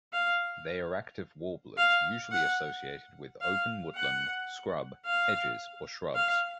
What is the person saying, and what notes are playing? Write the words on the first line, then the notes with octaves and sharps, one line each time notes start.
They are active warblers usually associated with open woodland, scrub, hedges or shrubs.
F5
F5
F#5
F5
F#5
F5
F5